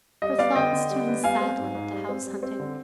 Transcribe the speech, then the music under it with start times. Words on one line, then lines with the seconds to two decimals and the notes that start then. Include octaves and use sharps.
Her thoughts turned sadly to house-hunting.
0.22 G3 D#5
0.39 B3 D5 F5
0.55 D3 D#5 G5
0.73 D3
0.90 G3
1.07 B3
1.24 G3 F5 G#5
1.41 C4
1.58 G#2
1.75 G#2
1.92 G3
2.09 C4
2.26 G3
2.43 C4
2.60 D3